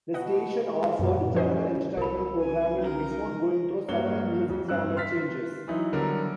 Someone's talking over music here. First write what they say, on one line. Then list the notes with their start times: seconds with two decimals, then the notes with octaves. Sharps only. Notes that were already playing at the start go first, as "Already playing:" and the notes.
The station offered general entertainment programming before going through several music format changes.
0.14 B2 D#5 F#5
0.64 G#3
0.99 F#2 A#2 B3
1.35 F3 C#4 C5 D#5
1.97 C2 A4 A#4 B5
2.40 G#5
2.78 C#4 D#4 A#4
3.88 G2 A#3 F#4 C#5 G7
4.49 F2
4.68 G2 C4 E6 F#6
4.96 C6 F6 A6 B6
5.68 E3 F#3 D#4 E4
5.93 D3 F#3 G3 B3 A#4